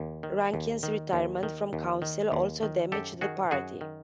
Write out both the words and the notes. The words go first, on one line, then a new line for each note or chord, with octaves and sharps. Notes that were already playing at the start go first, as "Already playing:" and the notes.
Rankin's retirement from council also damaged the party.
Already playing: D#2
D#3
D#2
D#3
D#2
D#3
D#2
D#3
D#2
D#3
F#2 G4 A4
D#3 F#4 G#4
F#2 F#4 G#4
D#3